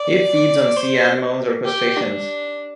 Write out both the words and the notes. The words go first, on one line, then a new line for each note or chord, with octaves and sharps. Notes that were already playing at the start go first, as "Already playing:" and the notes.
It feeds on sea anemones or crustaceans.
Already playing: D5
C5
G4
D4